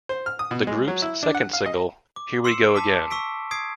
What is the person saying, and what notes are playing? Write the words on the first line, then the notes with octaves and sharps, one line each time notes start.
The group's second single, Here We Go Again!
C5
F6
D#6
B2
G#3
F#3
E4
D4
F#5
F5
D#5
D6
C6 E6 C7 C#7 E7
A5 D6 B6
C#6 E6 B6 D7
D#6 G#6 C7 D7